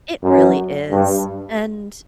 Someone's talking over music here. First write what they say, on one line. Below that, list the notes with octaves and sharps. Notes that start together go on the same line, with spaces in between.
It really is. And,
F#2
G2